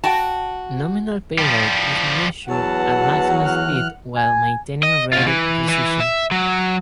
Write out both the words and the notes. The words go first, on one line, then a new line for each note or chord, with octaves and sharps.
Nominal payload is measured at maximum speed while maintaining rated precision.
F#4 G5 A5
F3 G3
E2 F#3 B4 F#5 A5
E3 F6 F#6
G#5
D#5
B2 F4
E3
E3
E5
F#3